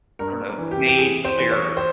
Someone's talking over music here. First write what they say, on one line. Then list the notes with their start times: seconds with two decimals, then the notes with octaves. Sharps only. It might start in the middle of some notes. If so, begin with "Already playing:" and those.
I don't know, made clear
0.19 G2 A#4
0.58 E3
0.71 G4
0.88 G4
0.98 E3 G#4
1.25 C5
1.38 E3
1.51 C#5
1.77 C5